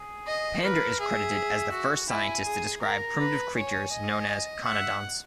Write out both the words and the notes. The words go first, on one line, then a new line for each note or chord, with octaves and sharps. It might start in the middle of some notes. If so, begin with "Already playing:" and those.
Pander is credited as the first scientist to describe primitive creatures known as conodonts.
Already playing: G#4
D#5
A#4 B4
G#4 E5
F#4
E4 G#5
G#4
A#4 A#5
B4
C#5 G#5
D#5
E5 F#5